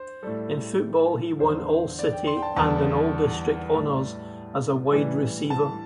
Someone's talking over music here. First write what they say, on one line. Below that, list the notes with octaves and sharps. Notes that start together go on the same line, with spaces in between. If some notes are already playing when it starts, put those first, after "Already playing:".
In football, he won All-City and an All-District honors as a wide receiver.
Already playing: C5
A2 G3 A4
E2 D3 G3 C5
D5
G5
C6
G5
A5
E2 D3 G3 A5
A2 G3 A5
A2 E3 G3
A5